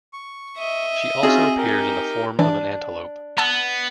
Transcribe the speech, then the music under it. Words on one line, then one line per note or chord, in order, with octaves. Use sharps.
She also appears in the form of an antelope.
C#6
D#5 E5
C4 C#4 D#4 F4 F#4 G#4
D#4 G4 A#4
E3 D4
B3 A5 E6 F#6